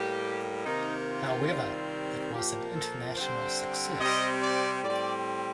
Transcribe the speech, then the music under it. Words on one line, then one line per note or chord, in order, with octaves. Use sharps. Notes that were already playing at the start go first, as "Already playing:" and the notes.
However it was an international success.
Already playing: A2 G3 A#3 G4
C3 D#3 A#3 D#4
F4
C3 D#3 G3 C4
A#2 F3 A#3 G4
A4
D3 G3 C4 C5
C3 G3 C4 D#5
D5
A2 G3 C4 D5